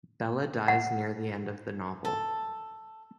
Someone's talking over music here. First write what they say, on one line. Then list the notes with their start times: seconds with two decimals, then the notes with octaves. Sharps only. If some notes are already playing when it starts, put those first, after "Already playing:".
Bella dies near the end of the novel.
0.68 F#5
2.05 A4